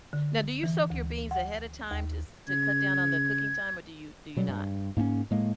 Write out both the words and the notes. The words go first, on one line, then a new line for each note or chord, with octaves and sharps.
Now do you soak your beans ahead a time to s to cut down on the cooking time, or do you do you not?
D3
E3
D2
F#5
D#2
C#3 G#6
B2 F#3 G3
G2
G#2 A#3 C4 C#4
A2 G#3 A#3